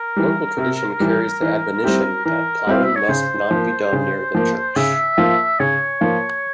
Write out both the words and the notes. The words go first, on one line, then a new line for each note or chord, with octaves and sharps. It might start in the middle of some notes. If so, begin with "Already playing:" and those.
Local tradition carries the admonition that plowing must not be done near the church.
Already playing: A#4
E3 G3
C3
E3 G3
E3
G3 C4 E4 G4
E3 A#4
G3 C4 E4 G4 F5
E5
C#5
C#3 C5
F3 A#3
C#3
F3 A#3
C#3 E5
F3 A#3 F4
C#3 C#5
F3 A#3 F4